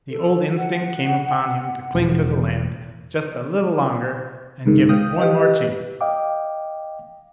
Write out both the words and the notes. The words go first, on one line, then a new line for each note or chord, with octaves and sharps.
The old instinct came upon him to cling to the land just a little longer and give it one more chance.
A4
F#5
E1
C#2 G#2 D#3
F5 G5 D#6
G4 B4 D#5
D#5 F5 G5 D6